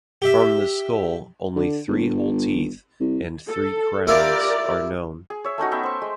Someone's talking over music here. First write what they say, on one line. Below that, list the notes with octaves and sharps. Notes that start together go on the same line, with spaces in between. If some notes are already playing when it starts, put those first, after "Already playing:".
From the skull, only three whole teeth and three crowns are known.
G4 E5
D3
G1
C2
A4
E4 F4 G4 A#4 D5
G#4
C#5 E5
A3 C#4 D#4 F#4
B3 E5 G5
C5 C#6
G#3